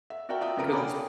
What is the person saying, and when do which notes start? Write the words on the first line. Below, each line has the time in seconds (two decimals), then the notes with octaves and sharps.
'cause it's
0.10 E5
0.29 F#4 A#4 D5 E5 G5
0.41 F4 D5 E5 G5 D#6
0.56 F2 C#3 B3 A#4 D#6 D7
0.72 C#5 G5 G#5 A#5 B5 D6
0.84 G#4